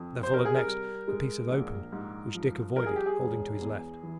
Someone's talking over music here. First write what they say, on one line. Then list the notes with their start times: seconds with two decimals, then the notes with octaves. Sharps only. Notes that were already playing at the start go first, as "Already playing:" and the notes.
There followed next a piece of open, which Dick avoided, holding to his left.
Already playing: F2
0.23 C3 C5
0.34 A#4
0.45 G#4
0.55 A#4
0.66 G3
1.08 G#3
1.50 A#1
1.92 G#2
2.34 F3
2.76 G3 A#4
2.86 G#4
2.96 G4
3.06 G#4
3.19 E1
3.61 E2
4.03 E3